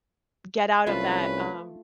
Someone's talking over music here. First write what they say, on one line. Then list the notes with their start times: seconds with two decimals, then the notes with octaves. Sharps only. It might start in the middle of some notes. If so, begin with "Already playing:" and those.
get out of that, um,
0.86 C2 A3 C#4 F4 B4 E5